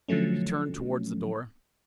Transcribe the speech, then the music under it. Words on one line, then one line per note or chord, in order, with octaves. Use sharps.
He turned towards the door.
D3 F3 F#3 A3 C#4